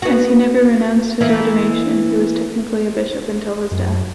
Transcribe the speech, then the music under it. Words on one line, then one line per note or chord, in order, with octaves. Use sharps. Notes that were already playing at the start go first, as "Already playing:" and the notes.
As he never renounced his ordination, he was technically a bishop until his death.
B3 F#4
E3 A#3 E4
F#2